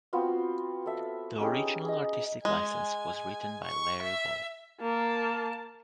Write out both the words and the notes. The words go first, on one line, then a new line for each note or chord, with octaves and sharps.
The original Artistic License was written by Larry Wall.
B3 C4 F4 F#4
A4 E5
C#4 D#4 G4 G#4
G#4 D#5
G#3 G#5
C#6
E5
A#3 A5